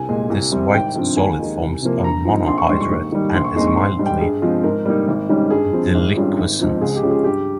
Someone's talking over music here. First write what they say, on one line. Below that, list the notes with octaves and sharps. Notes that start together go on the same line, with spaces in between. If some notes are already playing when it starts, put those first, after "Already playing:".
This white solid forms a monohydrate and is mildly deliquescent.
Already playing: C2 G#5
A#2 G#3
C2
C3 G3 C4
G#1 G5
G2 F3 C4
D#2 G#5
D#3 G#3 D#4
C2
C3 F3 A#3
G2 A#5
F3 C4 D#4
A#1 C6
C#6
G#2 G3 C6
C#6
D#2
D#3 G3
A#1 C6
C#6
A#2 G#3 C4 D#4 C6
C#6
A#1 C6
G#2 G3
G5
G2 G#4
F3 G#3 C4 F4
G#2 A#4
G3 A#3 D#4
G#1
G#2 D#3 G3 C#4
G2 G#4
F3 C4
G#1
G2 G3 C#4 F4
G#1
G#2 F3 C4
C#2 G#4
G4
C#3 G#3 C#4 F4
G#4
G2 G4